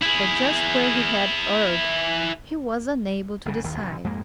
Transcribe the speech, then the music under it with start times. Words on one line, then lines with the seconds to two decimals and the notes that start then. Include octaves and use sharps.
But just where he had erred he was unable to decide.
0.01 E4 G#4
3.45 G1 C#3
3.63 F#1 D#2 D#3
3.78 B1 F#2 D3
4.04 F2 G#2 G#3 A#3